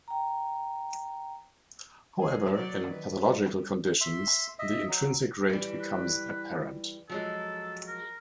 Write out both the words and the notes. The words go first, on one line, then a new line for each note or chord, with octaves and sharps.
However, in pathological conditions, the intrinsic rate becomes apparent.
G5 A#5
G#4
F#3 D5
D#3 B4
G3
E5 C6
D#5 E5
F#3
E3 G3
B4
F3 F#3 G#3 A4
A#4